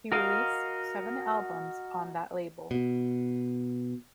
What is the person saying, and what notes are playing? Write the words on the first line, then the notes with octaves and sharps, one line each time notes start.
He released seven albums on that label.
F#4 A#4 D#5 F5
B2